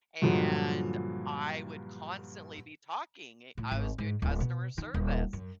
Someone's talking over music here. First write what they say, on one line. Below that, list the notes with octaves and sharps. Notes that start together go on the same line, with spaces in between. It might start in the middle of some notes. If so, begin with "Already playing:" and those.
and I would constantly be talking, i I was doing customer service
G2 A#2 D3 F3 F#3
A2
G#1
G#2
D1
B2
D#3
D#1
F#2